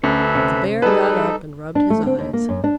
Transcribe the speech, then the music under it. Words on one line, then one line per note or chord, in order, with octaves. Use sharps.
But the Bear got up and rubbed his eyes.
D2 C#4 A4 B4 E5
C3 C#4
G3 D#4 G#4 A4 B4 A5
D4
A3
C4
D#2
A#3
F#2
D4